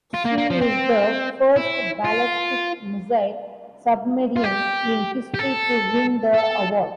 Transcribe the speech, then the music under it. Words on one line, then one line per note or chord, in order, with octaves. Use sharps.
She is the first ballistic missile submarine in history to win the award.
F4
A#3
A#3
F3
C4
E4
F4
F4
G4
G4
A4
A4